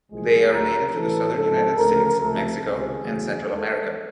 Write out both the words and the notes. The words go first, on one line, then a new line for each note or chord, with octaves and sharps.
They are native to the southern United States, Mexico, and Central America.
C2 A#2 F3 G#3 G#4
D2 D3 F#3 A3 A#4
A2 E3 A3 A4
G#2 F3 G#3 A4
D2 C#3 F3 A3 A#4
C#2 C3 F3 A3 A4
C#2 C3 D#3 G#3 G#4
E2 C#3 F#3 A3
D#2 D#3 G#3 A4